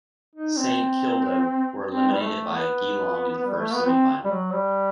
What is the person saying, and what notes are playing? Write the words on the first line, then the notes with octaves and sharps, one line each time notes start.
Saint Kilda were eliminated by Geelong in the first semi-final.
D#4
C4
C4
G3
A3
A3
B3
G3
A3
B3
C4
G3
F#3
G3